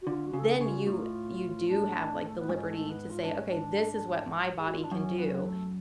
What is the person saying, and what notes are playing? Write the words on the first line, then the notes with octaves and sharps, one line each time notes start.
then you you do have, like, the liberty to say, "Okay, this is what my body can do,
F#4
D3 F4
F#4
C#3
A4
G#4
C#3
F4
F#4
A2 F4
D4
A3
B3
G#2 C#4
A3
B3
F4
D4
C#4
D4
G#4
F#4
F4
D4
F#2 C#4
B3
C#4
B3
A3